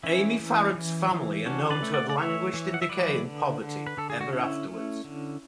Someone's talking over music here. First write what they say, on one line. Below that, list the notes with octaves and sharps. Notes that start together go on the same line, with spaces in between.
Amy Farrant's family are known to have languished in decay and poverty ever afterwards.
E3 C#4 E4
E3
E3
E3
C#4 D4 F#4
B4 D5
A3
D5 F#5
D5
E3 C#5 E5
E3
F#5
E5
F#3 B4 D5
D3
D3
B4
D3 A4
G#4
F#4
D3 C#4 E4
A3
D3